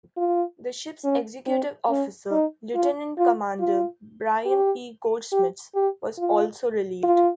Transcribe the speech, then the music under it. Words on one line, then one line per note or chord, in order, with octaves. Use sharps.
The ship's executive officer, Lieutenant Commander Brian P. Goldschmidt, was also relieved.
F4
C#4
C4
C#4
D#4
F4
F4
F4
G4
G4
G4
F4
F4